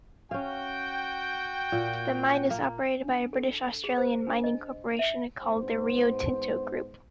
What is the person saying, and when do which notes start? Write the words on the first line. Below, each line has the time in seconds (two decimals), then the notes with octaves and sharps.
The mine is operated by a British-Australian mining corporation called the Rio Tinto Group.
0.31 C#4 F#4 F5 G5
1.72 A#2
2.50 A#3
3.02 D4
3.33 A4
3.84 G#4
3.98 C5
4.27 D4
4.44 D#5
4.99 E5
5.42 G#2 B3 C5